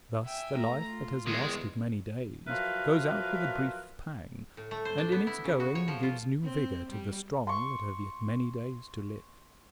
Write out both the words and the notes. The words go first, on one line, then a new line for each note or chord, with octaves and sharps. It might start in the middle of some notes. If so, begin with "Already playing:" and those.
Thus the life that has lasted many days goes out with a brief pang, and in its going gives new vigor to the strong that have yet many days to live.
E5 G5 G#5
A3 A#5
F4
E2 D#3 G#3
F3 F#3 A#4 B4 E5 F5
A2
A3
C5
D4
B3
E4
C#3
F#4
C#5
F3
F4
C4
G3
C6 C#6